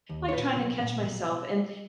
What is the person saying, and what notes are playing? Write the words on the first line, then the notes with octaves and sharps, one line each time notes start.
like, trying to catch myself and
D#2
C#5
A#2 B4
B1
A#2
B1